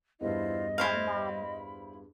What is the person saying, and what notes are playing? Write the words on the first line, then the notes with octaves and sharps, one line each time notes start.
my mom
E2 G2 E4 F4 C5 D#5
E4 C5 F5 B5